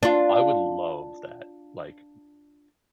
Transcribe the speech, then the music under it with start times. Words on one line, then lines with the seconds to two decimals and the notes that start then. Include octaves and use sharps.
I would love that, like
0.03 D4 F4